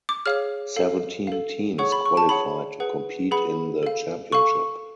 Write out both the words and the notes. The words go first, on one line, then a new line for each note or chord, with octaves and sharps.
Seventeen teams qualified to compete in the championship.
D6
G#4 C#5 F5 F6
A4 F5
A4 F5
G#4 C#5 F#5 C#6
B5
C#6
A5
G#4 C#5 F#5 B5
G#4 B4 F#5
G#4 B4 F#5 B5
A4 F5
A4 F5 C#6